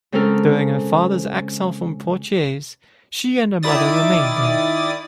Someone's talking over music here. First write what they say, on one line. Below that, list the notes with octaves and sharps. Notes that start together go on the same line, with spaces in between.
During her father's exile from Poitiers she and her mother remained there.
C#3 G#3 C4 C#4 A4 A#4
D#3 E4 D5 D#6 A6